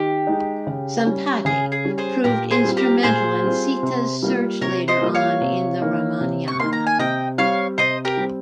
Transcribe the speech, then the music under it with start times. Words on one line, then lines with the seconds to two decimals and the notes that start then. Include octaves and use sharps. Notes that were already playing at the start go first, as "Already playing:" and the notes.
Sampati proved instrumental in Sita's search later on in the Ramayana.
Already playing: D#3 G4
0.27 G#3 D#4
0.67 C#3
1.06 G3 C#4
1.45 C#3 G#4
1.72 G#4
1.85 G3 C#4
1.98 G#4 C5
2.24 A#2 G4 A#4
2.51 G#4 C5
2.65 G3 C4 F4
2.77 G4 A#4
3.03 A#2 G#4 C5
3.44 G3 C4 F4
3.83 C3
4.23 G3 A#3 F4
4.61 C3 A#4 C#5
4.88 C5 D#5
5.02 G3 A#3 F4
5.15 C#5 F5
5.41 C3
5.81 D#3 A#3
6.21 C3
6.48 C#6
6.60 D#3 A#3 C6
6.73 A#5
6.87 G#5
6.99 C3 D#5 G5
7.38 G3 C4 C#5 F5
7.78 C3 C5 D#5
8.05 G4 A#4
8.17 G3 C4